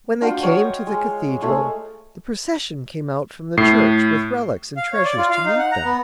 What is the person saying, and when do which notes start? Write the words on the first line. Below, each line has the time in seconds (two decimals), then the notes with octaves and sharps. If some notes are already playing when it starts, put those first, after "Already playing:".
When they came to the cathedral, the procession came out from the church with relics and treasures to meet them.
0.21 D4 F4 F#4 G5
0.43 C#5 D#5 G5
0.87 G#3
1.42 G#3 A3 G#4
3.57 A2 C7
4.77 F5
4.93 C#5
5.05 D5
5.18 F4
5.31 F5
5.45 D#4
5.59 F#5
5.72 A#5
5.84 B3